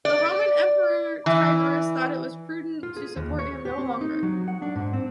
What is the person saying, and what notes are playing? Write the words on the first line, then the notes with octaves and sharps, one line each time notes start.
The Roman emperor Tiberius thought it was prudent to support him no longer.
D5
E3
F4
G#4
D#2
C#5
G4
C4
D#4
F#3
F#5
D4
G#2
C4